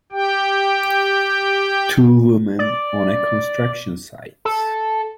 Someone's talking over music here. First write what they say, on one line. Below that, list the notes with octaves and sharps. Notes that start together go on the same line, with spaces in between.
Two women on a construction site.
G4 G5
D5
A4